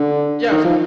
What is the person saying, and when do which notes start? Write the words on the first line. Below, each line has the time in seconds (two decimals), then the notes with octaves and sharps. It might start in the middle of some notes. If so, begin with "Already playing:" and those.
Yeah, so
Already playing: D3
0.51 D#3
0.64 F3